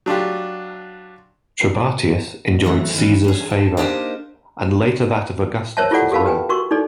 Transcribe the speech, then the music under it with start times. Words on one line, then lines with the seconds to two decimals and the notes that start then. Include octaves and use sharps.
Trebatius enjoyed Caesar's favor, and later that of Augustus as well.
0.06 F#3 D4 F4 G4
2.63 A2 E3 F#3 A3
2.94 D#3 E3 C#4
3.24 C#4 G#4
3.50 A5
3.77 A#3 D4 D#4 G4 A#4 C5
5.77 A#4 C5 C#5 E5 A5
5.91 E4 F4 G4 A4 D5 F#5
6.11 G4 A4 A#4 F5 A5 B5
6.25 G4 B4 G5 G#5
6.49 F#4 A#4 C6 C#6
6.71 D#4 E4 A4 D5